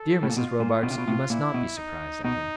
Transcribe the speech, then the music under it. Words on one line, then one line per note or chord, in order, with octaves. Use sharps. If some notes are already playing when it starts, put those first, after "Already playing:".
Dear Mrs. Robarts, you must not be surprised at him.
Already playing: A4
A2
A#2
B2 F4
A#2
B2
C3
B2
A2
A#2 E4
B2
D#4
B2 D#4